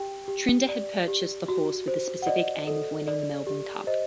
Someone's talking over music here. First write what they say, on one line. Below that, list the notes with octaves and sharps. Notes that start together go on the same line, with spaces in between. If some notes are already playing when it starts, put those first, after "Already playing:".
Trinder had purchased the horse with the specific aim of winning the Melbourne Cup.
Already playing: G4 G5
G4
D5
G4
F#4
C5
F#5
D5 D#5
A4
D5
G4
C5 D#5